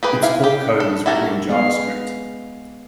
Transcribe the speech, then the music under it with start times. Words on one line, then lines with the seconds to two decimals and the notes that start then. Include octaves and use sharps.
Its core code is written in JavaScript.
0.03 G4 G#4 B4
0.23 E4 F5
0.44 G4
0.80 A4
1.06 E4 F#4 G4 A4 A#4
1.49 G#3 B3 G#4 F5